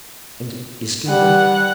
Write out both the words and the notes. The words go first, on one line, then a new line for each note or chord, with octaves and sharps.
And Iskander?
G3 F#5